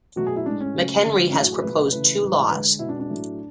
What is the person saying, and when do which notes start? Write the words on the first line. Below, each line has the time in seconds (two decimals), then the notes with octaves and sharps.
McHenry has proposed two laws.
0.16 B2 F#3 A3 F#4
0.27 G#4
0.36 E4
0.46 A2 G#3 D4
0.60 C#4
0.75 C#3 F#3 A3
1.04 D3 G#3
1.29 C#4
1.33 A2 F#3 A3 D4
1.44 F#4
1.52 G#4
1.62 B2 F#3 A3 B4
1.78 B4
1.92 C#3 E3 A3 B4
2.21 A2 E3 G#3
2.50 D3 G#3 B4
2.79 B2 G#3 E4
2.89 D4
2.99 D4
3.09 A2 F#3 A3